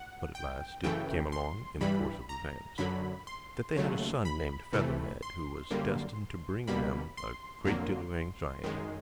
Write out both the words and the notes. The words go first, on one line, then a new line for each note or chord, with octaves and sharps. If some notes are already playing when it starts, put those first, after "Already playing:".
But at last it came along, in the course of events, that they had a son named Featherhead, who was destined to bring them a great deal of anxiety.
Already playing: F#5
G5
F#2 C#3 E3 A3 G5
C6
G2 E3 G3 B5
A#5
F#2 D3 F#3 B5
C6
D#2 C#3 F#3 A3
B5
C3 E3 A3
C6
F#2 D3 G3 A#3
B2 G3 A#3 B5
C6
F2 D3 F#3 A#3
F#2 D#3 G#3